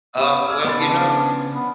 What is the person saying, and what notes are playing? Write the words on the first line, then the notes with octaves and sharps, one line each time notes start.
Uh, well, you know
B3 G4 C#6
D5 E6 F6 G#6
C#3 B3 B5 C6 A6
D4
B3